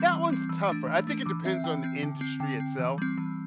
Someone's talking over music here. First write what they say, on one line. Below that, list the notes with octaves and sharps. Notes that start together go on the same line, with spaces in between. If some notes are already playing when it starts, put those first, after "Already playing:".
that one's tougher. I think it depends on the industry itself.
Already playing: E3 G3 C4
E3
G3 C4
E3 E6
A3 D4
E3
A3 D4
E3 D6
C4 E5
E3 G5
C4
D3
C4
D3 G5
C4
E3
G3 C4
E3